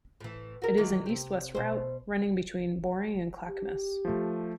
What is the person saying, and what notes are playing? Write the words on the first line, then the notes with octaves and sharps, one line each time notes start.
It is an east-west route, running between Boring and Clackamas.
A2 E3
F#4 A#4
D#3 E3 F#3
C3 G4
B2 C5
G4
F3 A3